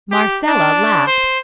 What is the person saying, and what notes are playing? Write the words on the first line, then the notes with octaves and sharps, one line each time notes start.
Marcella laughed.
G4
D4
C5